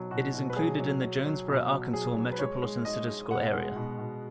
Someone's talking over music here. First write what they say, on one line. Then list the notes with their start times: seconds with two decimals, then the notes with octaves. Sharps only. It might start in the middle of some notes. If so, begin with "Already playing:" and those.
It is included in the Jonesboro, Arkansas Metropolitan Statistical Area.
Already playing: B2 F#3
0.11 B2 F#4
0.34 B2
0.50 B4
0.56 F#3 G#4
0.79 F#3
1.02 F#3
1.25 F#3
1.48 B2
1.71 F#3
1.93 F#3 G#4
2.17 F#3
2.32 B4
2.39 G#3 C#5
2.62 G#3
2.85 G#3 D#5
3.08 G#3
3.31 B2 F#5
3.53 G#3
3.76 B2
3.98 B2